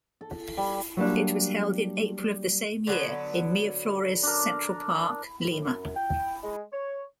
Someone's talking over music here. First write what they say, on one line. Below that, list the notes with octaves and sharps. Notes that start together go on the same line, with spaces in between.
It was held in April of the same year in Miraflores Central Park, Lima.
A4
G3
F#3 G3 A#3 D4
D3 F#3 B3
D4 A#4
A2
F#2
G5
G#3
C#5